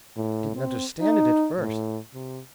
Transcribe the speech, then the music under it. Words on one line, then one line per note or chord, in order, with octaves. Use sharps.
I didn't understand it at first.
A2
C4
D#4
A2
C3